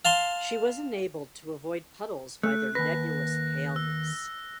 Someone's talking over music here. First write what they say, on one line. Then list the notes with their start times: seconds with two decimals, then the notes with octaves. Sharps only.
She was enabled to avoid puddles by their nebulous paleness.
0.05 F5 A5 C6
2.43 A3 F#6
2.75 D#2 B4 A#6
3.76 E6